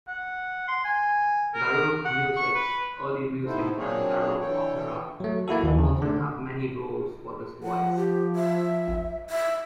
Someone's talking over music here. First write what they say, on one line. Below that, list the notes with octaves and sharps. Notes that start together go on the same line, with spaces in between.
Baroque music, early music and baroque opera also have many roles for this voice.
F#5
C6
G#5
A#4
F#5
C#6
B4
A2 B3 D#4 E4 A4 C5
F#3 A#3 C4 D4 G#4 C#5
D3 E3 A4 C#5 G5
F#3 A3
A#3 E4 F#4 A4
D#2 E3
C#3
D3 A3
F3 F#5
G4
E5
E5